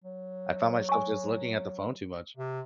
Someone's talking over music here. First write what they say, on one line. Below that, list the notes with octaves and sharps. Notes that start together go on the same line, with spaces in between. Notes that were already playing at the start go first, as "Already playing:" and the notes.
I found myself just looking at the phone too much,
F#3
G#5 C#6
C3